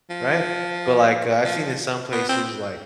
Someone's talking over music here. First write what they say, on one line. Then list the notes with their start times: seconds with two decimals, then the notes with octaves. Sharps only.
right? But, like, uh, I've seen in some places, like,
0.10 F3
1.45 F3
2.12 B3
2.29 C4